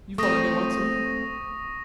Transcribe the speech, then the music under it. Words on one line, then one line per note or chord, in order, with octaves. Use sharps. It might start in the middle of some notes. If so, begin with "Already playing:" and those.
You follow me, Watson?
A3 C4 C#6 D#6 A#6